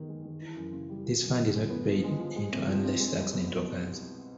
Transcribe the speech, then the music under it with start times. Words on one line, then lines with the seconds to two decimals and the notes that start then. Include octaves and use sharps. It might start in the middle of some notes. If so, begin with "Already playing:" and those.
This fund is not paid into unless an accident occurs.
Already playing: D#3 B3
0.08 G#3
0.25 D#3
0.41 E3
0.57 F#2
0.73 C#3
0.89 G3
1.06 F3
1.21 F#2
1.39 D3
1.54 F#2
1.70 B3
1.87 F3
2.04 G#3
2.19 F3
2.36 G#3
2.53 C3
2.68 F3
2.84 C4
3.00 G#3
3.17 C2
3.33 B2